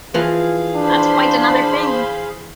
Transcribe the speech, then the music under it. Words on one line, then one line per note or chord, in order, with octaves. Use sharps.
That's quite another thing!
E3 F3 G#4 F5
D4 C5 B5 C6